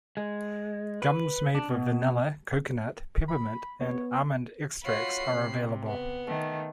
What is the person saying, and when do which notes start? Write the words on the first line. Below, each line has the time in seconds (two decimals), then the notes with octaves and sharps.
Gums made with vanilla, coconut, peppermint, and almond extracts are available.
0.17 G#3
1.02 B4
1.55 D4
1.71 B2
3.28 B5
3.81 B3 C#5
4.84 F4 F#4 C#5 B5 C7
5.31 C3
5.86 B3
6.28 D#3 A3